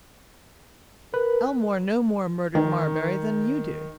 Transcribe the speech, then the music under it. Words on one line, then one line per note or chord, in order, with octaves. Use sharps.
"Aylmore no more murdered Marbury than you did!"
A#4 B4
D#3